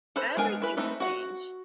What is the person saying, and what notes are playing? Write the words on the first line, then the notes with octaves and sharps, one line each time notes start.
Everything would change.
A4 B4 C5 B5
G#3 B3 D4 A#4 G#5
E4 B4
A3 C4 D#4 A4 B4
F#4 F#5